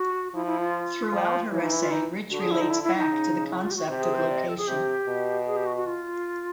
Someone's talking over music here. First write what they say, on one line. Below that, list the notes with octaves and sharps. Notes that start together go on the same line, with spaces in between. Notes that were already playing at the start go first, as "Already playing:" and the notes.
Throughout her essay, Rich relates back to the concept of location.
Already playing: F#4
F3 E4
E4
F4
F3
E3 E4
D#4
E4
F4
D#4
D3 F#4
G#4
E4
D#4
E4
E4
D#4
C#3
E4
F4
G4
F#4
C3 G4
G#4
C5
D5
D#5
A4
G#4
C3 G4
B2
G#4
G4
F#4
F#4
F4